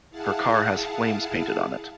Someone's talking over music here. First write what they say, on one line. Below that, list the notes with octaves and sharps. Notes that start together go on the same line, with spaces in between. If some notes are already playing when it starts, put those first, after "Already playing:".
Her car has flames painted on it.
E4 G#4 F5 F#5 A5